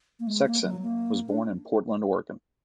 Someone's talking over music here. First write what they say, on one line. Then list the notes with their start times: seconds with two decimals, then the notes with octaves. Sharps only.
Sexson was born in Portland, Oregon.
0.20 A#3
0.27 G#3
0.46 A#3
0.64 F#3
0.82 A#3
1.29 D4